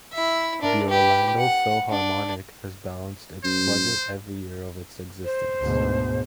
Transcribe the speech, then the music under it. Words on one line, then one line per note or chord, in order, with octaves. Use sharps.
The Orlando Philharmonic has balanced its budget every year of its existence.
E4 E5
D4 A#4
G4 B4
F#5
D4
F#2 C5
C5
D2 G#2 B2